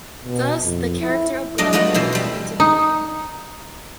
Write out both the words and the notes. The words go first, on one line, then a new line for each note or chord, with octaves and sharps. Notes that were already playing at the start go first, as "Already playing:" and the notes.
Thus, the character of Glen never came into being.
B2
F2
E4
F#3 G#3 D4 D#5
G#3 A3 B3 F4 F#4
B2 E3 C#4 C5 A5
G3 C5
D#4